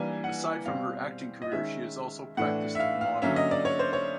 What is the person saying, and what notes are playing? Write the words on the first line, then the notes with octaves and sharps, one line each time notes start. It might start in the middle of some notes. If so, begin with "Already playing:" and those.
Aside from her acting career she has also practiced modelling.
Already playing: E3 G3 A#3 D4 G#5
F#5
B2 G3 C4 F5
D#5
D#3 G#3 C#4 E5
A2 E3 A3 D4 F#5
E5
F5
F5
D3 F#3 A#3 C#4 E5
D#5
D5
C#5
C5
C#5